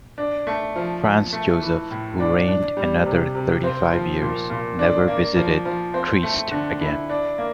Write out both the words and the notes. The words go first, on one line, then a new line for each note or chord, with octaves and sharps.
Franz Joseph, who reigned another thirty-five years, never visited Trieste again.
D4
A3
F3
F3
A3
E3
A2
D4
D4
G3
C3
C3
C4
F3
A#2
A#2
D4
A#3
F3
F3
C4
A3
D3
E4
D4
A#3